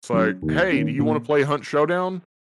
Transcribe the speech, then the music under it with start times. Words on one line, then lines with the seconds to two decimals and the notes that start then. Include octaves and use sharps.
It's like, "Hey, do you wanna play Hunt Showdown?"
0.13 F#3 C#4
0.42 D#2
0.71 D#3 A#3 C#4
0.99 A#2